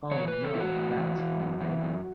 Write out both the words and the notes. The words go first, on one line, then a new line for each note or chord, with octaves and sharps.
Oh, no, that's all right.
E3 C#5
E3 B4
A4
E3 E4
F#4
A2
E3
E3
F#2
E3
F#2